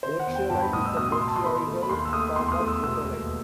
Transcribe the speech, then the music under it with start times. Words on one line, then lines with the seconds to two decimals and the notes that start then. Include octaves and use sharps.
"Botryolite" is a botryoidal form of datolite.
0.03 D#3 C5
0.19 F#5
0.27 E2
0.35 G5
0.50 G2 A5
0.62 B5
0.73 A1 D#6
0.86 E6
0.96 B2 D#6
1.12 C6
1.20 B2
1.28 A5
1.36 C6
1.44 D#3 B5
1.67 A3
1.83 B5
1.89 D#2 C6
2.05 E6
2.13 A3 D#6
2.36 E2 C6
2.48 C6
2.52 D#6
2.60 A3
2.68 E6
2.83 E1 E6
3.06 D#2